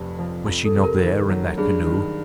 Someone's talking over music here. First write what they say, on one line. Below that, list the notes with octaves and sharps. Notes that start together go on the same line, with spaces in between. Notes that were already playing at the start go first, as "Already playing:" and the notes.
Was she not there in that canoe?
Already playing: F1 F2 C3
F3
F2
A4
C3
A#4
D#3
F#3
G2 G#4
D#3